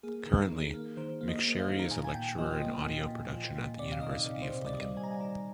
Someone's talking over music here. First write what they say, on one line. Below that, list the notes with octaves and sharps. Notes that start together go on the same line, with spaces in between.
Currently, McSherry is a lecturer in Audio Production at the University of Lincoln.
A#3 G#4
D#3
D#3
A#3
D#3 C5
A#3
D#5
A#3
F5
D#3
A#5
A#2 G#5
G#5
A#2 G5
F3 D#5
A#3 D#5
A#2
A#2
F3
A#2
C3 D5
F5
D#3 D#5
D5
C3
C5
C3
D5
G3 D#5
G3 G#5
A#5
G#5
D#3 A#5